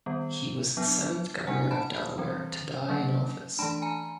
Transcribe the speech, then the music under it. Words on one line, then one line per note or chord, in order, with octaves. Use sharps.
He was the seventh Governor of Delaware to die in office.
D#3 G3 B3
F#3 B3 D4
G3 A#3 D4 F#5 G#5
A5 B5
E3 G3 C4
F#3 A#3 C#4
E3 A3 D4 A5 B5
G#5 A#5